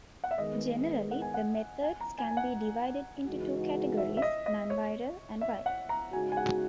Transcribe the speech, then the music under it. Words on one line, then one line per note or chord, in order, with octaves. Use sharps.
Generally, the methods can be divided into two categories: non-viral and viral.
F#5
E5
D#3 G#3 B3 D#5
F#5
G#5
F#5
G#5
A#5
G#5
G#5
F#5
C#3 E3 G#3 D#4 F#4
E5
E5
D#5
D#5
C#5
E5
F#5
A#5
C#3 G#3 D#4 F#4 G#5
G#5
F#5